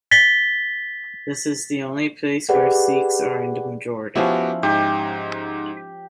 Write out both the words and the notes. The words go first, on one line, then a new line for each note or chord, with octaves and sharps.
This is the only place where Sikhs are in the majority.
A6 B6 G7
G4 G#4 B4 D5 F#5
F3 B3 C#4 E4 F#4 G4
G#2 D#4 G4